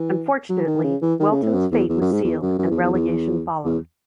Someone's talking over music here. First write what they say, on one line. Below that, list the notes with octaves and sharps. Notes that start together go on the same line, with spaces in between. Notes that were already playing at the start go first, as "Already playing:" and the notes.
Unfortunately Welton's fate was sealed and relegation followed.
Already playing: E3
F#3
D#3
C#3
E3
D#3
C#3
A2
F#2
E2
E2
F#2
G#2
E2
F#2
F#2
E2
E2
E2
E2